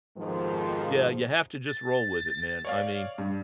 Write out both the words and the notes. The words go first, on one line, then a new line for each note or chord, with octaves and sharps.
yeah, you have to just roll with it, man. I mean,
F2 G#2 B2 D#3 F3
A6
C#5 D5 F5
G2